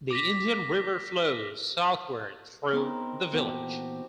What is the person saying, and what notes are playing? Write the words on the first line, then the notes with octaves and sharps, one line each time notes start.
The Indian River flows southward through the village.
D6 A#6 B6
B3 C4 D#4 A#4 B5
A#2 E3 B3 F#4 G4 A4